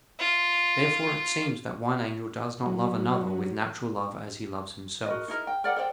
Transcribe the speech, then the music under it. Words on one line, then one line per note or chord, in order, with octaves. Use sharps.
Therefore it seems that one angel does not love another with natural love as he loves himself.
F4
F#3
F#4 A#4 D#5
D#4 E4 A#4
G5
A#4 D5 F#5 G5
A4 C5 D5 G5